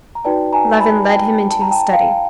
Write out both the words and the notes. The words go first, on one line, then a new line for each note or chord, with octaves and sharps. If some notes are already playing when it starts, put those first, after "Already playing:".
Levin led him into his study.
A#5
D#4 F#4 B4 D5 G5 A5
G#5 A#5
A5 B5
G5 A5
A5
A#5
G5 A5
F5 G5